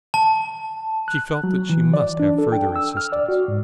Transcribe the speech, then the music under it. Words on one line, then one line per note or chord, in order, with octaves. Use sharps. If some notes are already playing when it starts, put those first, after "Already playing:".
She felt that she must have further assistance.
A5
F#6
F#3
E3
D5
D4
A4
G5
E6
F6
D5
F#4
G#2